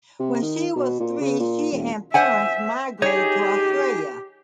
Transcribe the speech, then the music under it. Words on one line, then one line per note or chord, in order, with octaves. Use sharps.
When she was three she and parents migrated to Australia.
C3
D#3
B2
A#2
C#3
A#2
E1
C5 E5 F#5 G#5
D#4 G4 G#4 C#5